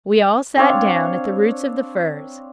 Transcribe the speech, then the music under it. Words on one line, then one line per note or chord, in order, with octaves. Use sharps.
We all sat down at the roots of the firs.
C4 D4 C#5 F5